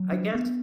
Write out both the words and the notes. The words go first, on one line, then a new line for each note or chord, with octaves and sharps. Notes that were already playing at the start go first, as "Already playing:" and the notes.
I guess
Already playing: F#3
D4
B3